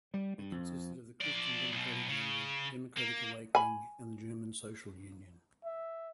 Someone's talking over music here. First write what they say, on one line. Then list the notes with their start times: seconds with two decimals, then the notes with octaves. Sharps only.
It consisted of the Christian Democratic Union, Democratic Awakening and the German Social Union.
0.14 G3
0.38 G2
0.52 F2
1.21 F3 D5
1.72 B1 B2
2.09 C#3
2.97 A#3
3.55 G#5 B5
5.65 E5